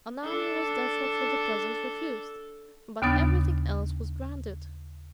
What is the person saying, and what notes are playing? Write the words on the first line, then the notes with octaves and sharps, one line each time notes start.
An army was therefore for the present refused; but every thing else was granted.
D4 A4
D#2 C#3 B3 D4 D#6 A6